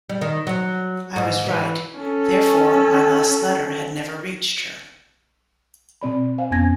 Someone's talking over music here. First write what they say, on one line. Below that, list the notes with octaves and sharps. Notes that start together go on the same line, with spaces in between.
I was right, therefore, my last letter had never reached her.
G3
D#3
F#3
G#2
E3
C#4 A4
B2 C4 D5 B5
C5 F5 G#5
F2 B3 C#4 G#5 G#6 A#6